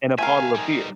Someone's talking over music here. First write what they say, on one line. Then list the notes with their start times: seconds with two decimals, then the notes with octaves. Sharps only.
and a bottle of beer.
0.18 A3 C4 A#4 E5 F5 G#5
0.55 G3 D#4